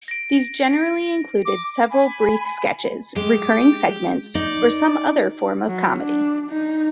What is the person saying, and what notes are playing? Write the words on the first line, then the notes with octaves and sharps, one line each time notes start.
These generally included several brief sketches, recurring segments, or some other form of comedy.
A#6 D7
D6
G#5 B5
G#3 G4
D#4 D5
F#3
D4
D#4